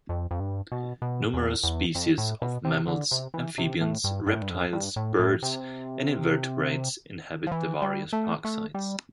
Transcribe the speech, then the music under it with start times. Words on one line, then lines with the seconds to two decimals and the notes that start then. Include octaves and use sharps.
Numerous species of mammals, amphibians, reptiles, birds and invertebrates inhabit the various park sites.
0.09 F2
0.31 F2
0.40 G2
0.72 B2
1.02 B2
1.34 E2
1.64 E2
1.95 F2
2.18 A2
2.42 B2
2.65 C3
2.88 D3
3.11 C3
3.34 E3
3.58 C3
3.81 A2
4.04 G2
4.27 G2
4.35 A2
4.42 G2
4.50 F2
4.73 G2
4.96 A2
5.19 A2
5.42 C3
7.47 F3
7.52 E3
7.82 G3
8.13 A3
8.45 A3
8.74 G3